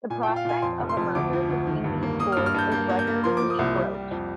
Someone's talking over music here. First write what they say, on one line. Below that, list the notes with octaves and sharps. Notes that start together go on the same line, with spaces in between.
The prospect of a merger between these schools is regularly broached.
A#2 G#5
G5
F4
F5
A#2 G#5
F2 C6
F1
C6
F2
D2 D6
F3
D2
D#3
G2
A#3
A#3 D#6
F6
G2
F6
G2 G6
A#3 G6
A#3
G6
A#3
F3 C6
F3 D6
D#6
C2
G3
G3
F2